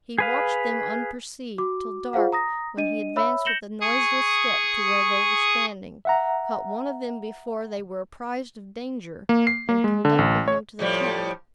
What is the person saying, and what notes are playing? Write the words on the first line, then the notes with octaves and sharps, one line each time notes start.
He watched them unperceived, till dark when he advanced with a noiseless step to where they were standing, caught one of them before they were apprized of danger, and conducted him to the camp.
G#4 B4 F5
F#4 D6
F4 G#4 C5 F5 F#5
A#5 D#6 A#6
D4 D#5 D#7
C#5 E5 B5 E6
G6 A#6 C#7 E7 F#7 G7
G#4 C#6 D#6
E5 F#5 A#5
A#3
C7
A#3
G#3
D3
A1
C#5
A2 F3 G3